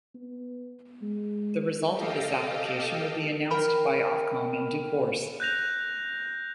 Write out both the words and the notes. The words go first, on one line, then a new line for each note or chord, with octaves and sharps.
The result of this application will be announced by Ofcom in due course.
B3
G#3
G4 A4 D#5 F5 G5
A#4 G5 B5 F6
F#6 G6 A#6 F7